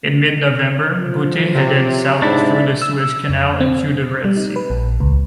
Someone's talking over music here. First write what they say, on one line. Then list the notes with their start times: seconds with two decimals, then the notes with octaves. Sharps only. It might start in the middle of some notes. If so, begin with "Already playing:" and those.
In mid-November, "Butte" headed south through the Suez Canal into the Red Sea.
1.00 F3
1.54 C3
2.22 G#2 D4 E4
2.82 E6
3.29 F2
3.60 C4
4.25 G3
4.37 D#4
4.56 B4
4.70 A#1
5.00 C#2